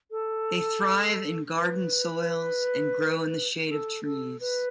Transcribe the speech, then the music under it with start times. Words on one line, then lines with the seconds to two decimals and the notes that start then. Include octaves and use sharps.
They thrive in garden soils, and grow in the shade of trees.
0.11 A4
1.54 B4
3.68 A4
4.05 A4
4.40 B4